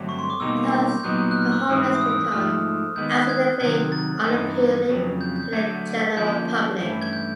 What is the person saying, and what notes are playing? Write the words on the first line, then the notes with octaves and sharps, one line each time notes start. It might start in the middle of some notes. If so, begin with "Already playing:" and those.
Thus, the homeless become "aesthetically unappealing" to the general public.
Already playing: G2 D3 F#3 A3 C4
C#6
C6
D6
B2 G3 A#3 D#4 E6
G6
G6
G6
A#2 F#3 B3 D#4 F#6
F#6
F6
E6
G#2 E3 G3 C4 E4 D#6
D#6
E6
G#2 F3 A3 F6
D#3 G#3 B3 G6
F#6
G#6
C3 D#3 F#3 G#6
A6
G2 E3 C4 D#4 G#6
F2 C#3 F#3
G6
G6
D3 F#3 A3 G#6
D3 F3 A#3 C#4 E4 G6
G2 E3 A3 C#4 E4
G#6
G6